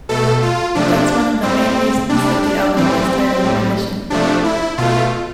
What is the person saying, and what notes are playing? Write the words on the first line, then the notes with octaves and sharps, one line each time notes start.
That's one of the main reasons that the album is titled Remission.
B2 A3 A4
F4
C3 F3 A3 D4
A2 G3 C4
C3 G3 D4
D4
A2 E3 G3 C4
A2 G3
C3 F3 A3 D4
E4
B2 A3 F4